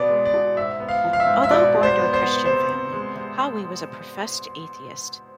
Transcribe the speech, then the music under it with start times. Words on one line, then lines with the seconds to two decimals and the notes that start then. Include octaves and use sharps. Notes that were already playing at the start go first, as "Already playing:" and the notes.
Although born into a Christian family, Hawi was a professed atheist.
Already playing: B2 B3 D5
0.09 G#3
0.25 D5
0.34 B2
0.57 G#2 E5
0.80 B3
0.89 F5
1.04 F3
1.13 F5
1.20 E5
1.27 G#2
1.44 E5
1.51 B2 D5
1.74 B2
1.83 C5
1.98 B3
2.14 C5
2.22 B3
2.45 C3 C5
2.69 C4
2.93 G#3
3.15 C3